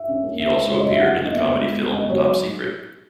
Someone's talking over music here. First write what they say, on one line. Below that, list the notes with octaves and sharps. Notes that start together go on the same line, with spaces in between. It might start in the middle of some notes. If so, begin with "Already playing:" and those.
He also appeared in the comedy film Top Secret!
Already playing: E5
C#4
A#3
C#4 E5
G#3
C#4 C#5
D#5
F#3 E5
C#4 F#5
A#3 F#5
D#5
B3 E5
G#3
B3
G#3
B3 D#5
F#3 C#5